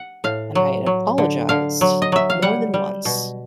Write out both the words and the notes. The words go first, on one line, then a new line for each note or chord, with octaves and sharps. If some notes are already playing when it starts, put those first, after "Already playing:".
and I had apologized more than once,
Already playing: F#5
A2 F5
F#3
F#3
D3
D3 F5
F#3
D#5
F#3 E5
F5
G3 F#5
G3
B2